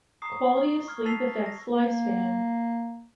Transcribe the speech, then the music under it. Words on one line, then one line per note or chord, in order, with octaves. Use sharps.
Quality of sleep affects lifespan.
A#5 C#6 D#6 C7
C#6 F6 G#6
A5 E6 A6 B6 C7 F7
A#6
A#3